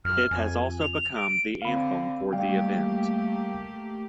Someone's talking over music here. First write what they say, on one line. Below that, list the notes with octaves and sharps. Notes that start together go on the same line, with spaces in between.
It has also become the anthem for the event.
F#2 F6
F2 G#5
F7
D7
D3 C4 F5 B5
G3 A3 A#3 G4 F5 G5